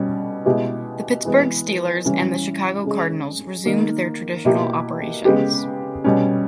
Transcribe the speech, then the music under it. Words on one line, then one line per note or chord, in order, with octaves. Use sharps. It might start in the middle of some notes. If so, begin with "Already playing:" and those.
The Pittsburgh Steelers and the Chicago Cardinals resumed their traditional operations.
Already playing: B2 G3 C#4
B2 G#3 B3 E4 G4
E3 G#3 B3
E3 G3 C#4 E4
G#3 C#4 G#4
D#3 A#3 D#4
B2 A#3 E4 G4
C#3 G#3 B3 G4
B2 G3 C#4